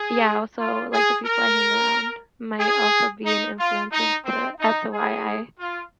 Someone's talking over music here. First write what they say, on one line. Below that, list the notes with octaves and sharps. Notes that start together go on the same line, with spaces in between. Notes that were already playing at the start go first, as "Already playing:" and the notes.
yeah, also like the people I hang around might also be an influence as to as to why I
Already playing: G#4
F4
G#4
A#4
G#4
D#4
F4
D#4
C4
D#4
G#4
F4